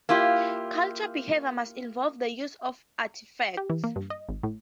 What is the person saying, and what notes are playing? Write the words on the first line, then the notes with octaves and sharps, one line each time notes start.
Cultural behavior must involve the use of artifacts.
A#3 E4 F4 G4
G4
E3
A#3
G2
D#5
G#1
A2